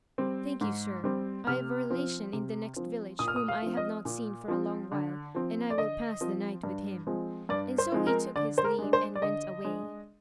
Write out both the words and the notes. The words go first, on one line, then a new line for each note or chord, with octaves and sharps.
"Thank you, sir: I've a relation in the next village whom I have not seen for a long while, and I will pass the night with him;" and so he took his leave, and went away.
G3 C4
G#2
G3 C4
C3 F6
F3 C4
C3
F3 C4
A#2 D#6
F6
D#6
F5
F3 C4
D#5
A#2
F3 C4
D3
F3 C4
D5
D3 D#5
F3 C4
G2
F3 G#3 C4
G2 D5
C5
F3 G#3 C4
A#4
D3 D5
C5
A#4
G#3 D4
C5
D5
D3 D#5
G#3 D4